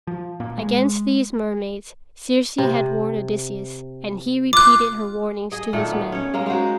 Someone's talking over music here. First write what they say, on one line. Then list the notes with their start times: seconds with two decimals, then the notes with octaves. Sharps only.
Against these mermaids Circe had warned Odysseus, and he repeated her warnings to his men.
0.07 F3
0.40 A#2
0.58 G#3
2.58 C3
4.53 F4 D6 F#6
5.52 G#4 D#5
5.73 A#2 D#3 A3
5.92 B3
6.12 C#4 C#5
6.34 G#3 A#3 C#4
6.46 G#3 D#4 F#4 C5